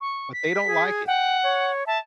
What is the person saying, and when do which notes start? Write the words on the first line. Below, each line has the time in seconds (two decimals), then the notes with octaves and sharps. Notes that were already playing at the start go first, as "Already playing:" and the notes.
But, they don't like it,
0.01 C#6
0.33 B6
0.66 G#4
1.07 F#5 G5
1.43 C#5
1.87 E5 A5